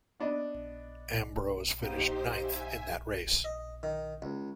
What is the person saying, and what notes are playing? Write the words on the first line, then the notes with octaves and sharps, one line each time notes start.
Ambrose finished ninth in that race.
B3 D4 D#5
A#1 D#4 G4 C5
E5 G#5
D#5
D#3
C#2